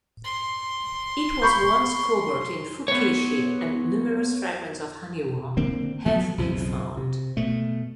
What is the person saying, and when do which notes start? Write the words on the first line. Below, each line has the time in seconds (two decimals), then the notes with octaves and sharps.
It was once covered in "fukiishi" and numerous fragments of "haniwa" have been found.
0.24 C6
1.42 B5 C#6 G6
2.88 B3 C#5
5.57 D3 A#3 C4
6.06 F3 F#3 B3
6.38 B1 F2 C#3 F3
6.97 C3
7.37 B2 A3